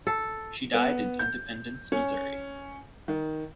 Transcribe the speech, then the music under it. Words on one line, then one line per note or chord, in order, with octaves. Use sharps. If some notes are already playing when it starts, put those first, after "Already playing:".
She died in Independence, Missouri.
A4
B3
G6
C#4
D#3